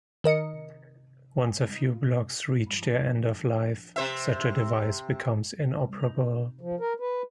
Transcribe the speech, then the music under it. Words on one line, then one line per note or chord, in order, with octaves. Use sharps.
Once a few blocks reach their end of life, such a device becomes inoperable.
D#3 A#4 D#5 C#7
C3 C5 E5
F3
A#4
B4